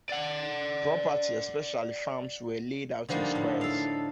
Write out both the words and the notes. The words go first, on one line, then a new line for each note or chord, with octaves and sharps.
Property, especially farms, were laid out in squares.
D5 F#5
D3 F3 G3 A#3 D4 D#4
A2
A4 F5